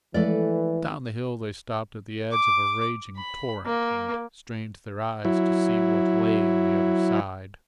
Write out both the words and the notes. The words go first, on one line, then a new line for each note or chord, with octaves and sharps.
Down the hill they stopped at the edge of a raging torrent and strained their eyes to see what lay on the other side.
E3 F3 G#3 A3 A4 B4 D5
D6
B5
A#3
F#3 E4